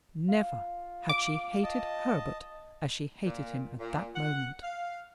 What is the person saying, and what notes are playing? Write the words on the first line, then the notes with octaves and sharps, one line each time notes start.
Never had she hated Herbert as she hated him at that moment.
F4
D6
D#5 A5
A#2
A#2
F#5
F5